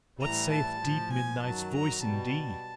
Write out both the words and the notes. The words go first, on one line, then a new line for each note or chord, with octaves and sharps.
What saith deep midnight's voice indeed?
A2 E3 G3 A#5
A5
A2 F3
G#5
F#2 D#3 F#3 A5
A#5
B2 G3 A5